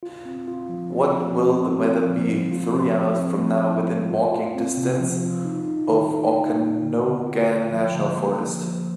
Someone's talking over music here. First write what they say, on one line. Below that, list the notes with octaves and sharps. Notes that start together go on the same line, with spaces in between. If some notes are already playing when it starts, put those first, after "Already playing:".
What will the weather be three hours from now within walking distance of Okanogan National Forest?
F4
C4
F4
F3
C4
F3
C4
C4
C4
F3
A2
F4
F3
F3
C4
F3
F3
F4
F4
F4
C4
C3
F3
F4
D#4
D#4
D#3
D#4
D#4
D#4
D3
D3
F4
F4
F3
D3
A#3
F3
F3